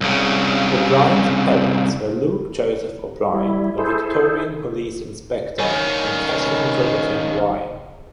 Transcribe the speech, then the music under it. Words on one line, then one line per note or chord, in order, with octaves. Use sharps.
O'Brien's parents were Luke Joseph O'Brien, a Victorian Police Inspector, and Katherine Josephine Ryan.
C2 C#3
G3 E4
E4 G#4 A4 C5
D#3 C#4